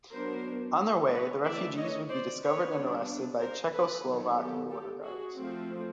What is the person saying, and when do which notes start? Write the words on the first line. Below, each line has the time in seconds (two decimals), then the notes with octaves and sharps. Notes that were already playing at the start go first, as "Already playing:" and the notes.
On their way the refugees would be discovered and arrested by Czechoslovak border guards.
0.12 F#3 B3 D4 A#4 C5
1.11 B4 C#5
1.44 E3 A3 C#4 D5 E5
1.76 C#5 D#5
2.08 C5 D5
2.41 B4 C#5
2.75 G3 B3 D4
3.40 A#4 C5
3.72 A4 B4
4.05 D#3 F#3 B3
4.38 G4 A4
4.71 G4 A4
5.03 F#4 G#4
5.36 F3 A3 C4